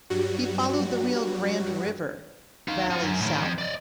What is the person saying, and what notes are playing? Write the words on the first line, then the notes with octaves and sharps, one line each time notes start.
He followed the Rio Grande river valley south.
G2 F#3 G3 F#4
D#4 F5
F4 F#5
F#2
A2 D#3
F2
D5 D#5